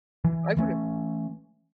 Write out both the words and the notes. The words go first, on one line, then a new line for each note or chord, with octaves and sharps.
I would've
E3
E3 A3 C#4